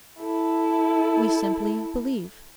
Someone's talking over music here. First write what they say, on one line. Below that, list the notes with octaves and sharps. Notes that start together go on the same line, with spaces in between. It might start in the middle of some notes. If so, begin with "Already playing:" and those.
We simply believe.'
E4 A4